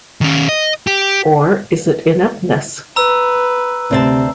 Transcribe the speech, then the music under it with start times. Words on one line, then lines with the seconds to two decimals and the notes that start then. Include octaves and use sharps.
Or is it ineptness?
0.21 D#3 C#4
0.49 D#5
0.87 G4
2.96 B4 A#5 E6
3.91 D2 C3 C4 A5